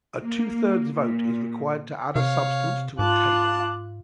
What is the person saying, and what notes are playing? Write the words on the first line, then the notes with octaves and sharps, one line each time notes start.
A two-thirds vote is required to add a substance to a Table.
A#3
A#2
C3 C#5 F5
G#2 F4 A5 D6 F#6